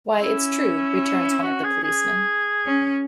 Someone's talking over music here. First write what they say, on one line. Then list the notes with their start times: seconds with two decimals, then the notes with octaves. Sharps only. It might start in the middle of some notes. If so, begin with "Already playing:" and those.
"Why, it's true," returns one of the policemen.
0.21 C#4 E4
1.43 F#4
1.64 G#4
1.84 G#4
2.66 C#4